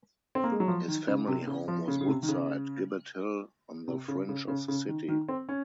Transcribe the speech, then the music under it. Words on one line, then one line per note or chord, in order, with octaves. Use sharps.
His family home was Woodside, Gibbet Hill, on the fringe of the city.
C4
A#3
G#3
F#3
F3
D#3
C#3
C3
C#3
F3
C#3
C#3
C3
D#3
C#3
C3
C#3
C#3
C#3
C#3
D#3
D#3
C4
C#4